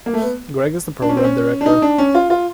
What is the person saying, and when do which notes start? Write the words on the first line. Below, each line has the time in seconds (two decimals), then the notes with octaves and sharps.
Greig is the Program Director.
0.06 A#3
0.14 A3
0.22 B3
1.02 D4
1.09 C#4
1.17 C4
1.24 C#4
1.61 D4
1.66 D#4
1.82 D4
1.98 C#4
2.15 F4
2.30 F4